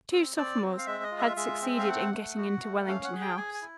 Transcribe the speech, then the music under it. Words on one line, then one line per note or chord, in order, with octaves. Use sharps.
Two sophomores had succeeded in getting into Wellington House.
C4
C4 D5
C4
F5
G#3 E5
D#5
F4
E5
G#3 E5
C4
F5
A3 F#5
A3
F#4
A3
C#4 F5
F#5
G#4
G5
G#4 G#5
G#5
E4